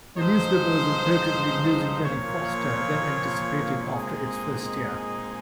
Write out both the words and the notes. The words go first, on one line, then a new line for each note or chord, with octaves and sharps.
The newspaper was reportedly losing money faster than anticipated after its first year.
G2 F3 G#3 D#4 C5
A#2 F3 A#3 C#5
A#2 G#3 C4 D#4 G#4